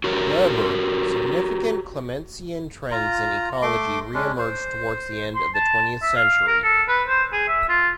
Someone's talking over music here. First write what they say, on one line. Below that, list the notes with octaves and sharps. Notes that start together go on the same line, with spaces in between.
However, significant Clementsian trends in ecology re-emerged towards the end of the twentieth century.
F#4 G4 A#4 C#5
F4 A#5
A3 C6 D6
G#3 C#4 D4
C5
C6
A5
E5
F5
A#4
A4
B4
C5
G#4
E5
F4